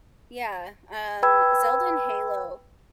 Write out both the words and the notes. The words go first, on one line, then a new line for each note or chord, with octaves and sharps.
Yeah, um, Zelda and Halo
B4 G5 B5 E6 G#6